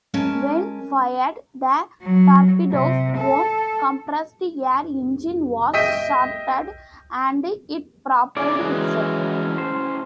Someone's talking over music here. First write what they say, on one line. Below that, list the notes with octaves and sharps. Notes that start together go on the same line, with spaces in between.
When fired, the torpedo's own compressed air engine was started and it propelled itself.
G#3 C#4 A#4 G#5 A5
F#3
C3
A4
D#5 E5 G5 G6 B6 D#7
C#4 E4 G#4 D5
E3 G#3 F#4
C5